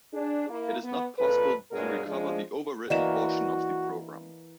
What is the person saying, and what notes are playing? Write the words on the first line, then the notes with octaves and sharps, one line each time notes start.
It is not possible to recover the overwritten portion of the program.
D4 G#4
A#3 E4
B3
F2 A#2 A4 B4
G2 B2 G#3 G#4 A#4 C#5
F3 G#3 D4
E3 A#3 F#4 D5 D#5 E7